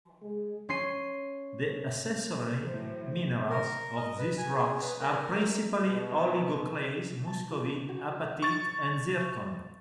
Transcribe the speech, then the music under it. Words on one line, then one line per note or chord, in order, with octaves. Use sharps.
The accessory minerals of these rocks are principally oligoclase, muscovite, apatite and zircon.
G#3
C#4 C6 C7 D#7
A2 E3 F#3 C5
A#4
D#5
B4
G#5
G#4
B4
A#4
B2
A5
F4
C#3
F#4
C#6 A6